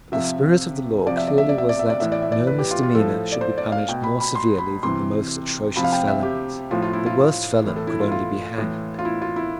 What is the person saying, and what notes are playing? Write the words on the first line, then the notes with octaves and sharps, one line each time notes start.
But the spirit of the law clearly was that no misdemeanour should be punished more severely than the most atrocious felonies. The worst felon could only be hanged.
C3 F3 E5
C3 F3 D5
E5
D5
E5
D5
E5
D5
E5
D5
A2 E3 E5
D5
E5
D5
B4
G4
F4
F4
A2 F3 A4
D5
C5
D5
F5
B2 G5
B5
B5
C6
B5
C3 E3 C6
C3 F3 B5
F5
G5
E5
G4
A2 F3 F4
F4
E4
F4
A2 E3
A4
E4
F4
F4
A2 E3
F4
E4
F4
E4